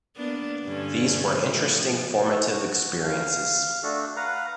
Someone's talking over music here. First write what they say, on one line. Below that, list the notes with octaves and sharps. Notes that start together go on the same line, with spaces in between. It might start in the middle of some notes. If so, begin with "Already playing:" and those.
These were interesting formative experiences.
A#3 B3 D4
G2 D3 C#4
A2 F3 F#4
A4 C#5
F#4
F5
A3 D4 F#4 A4
B4 F5 F#5 A#5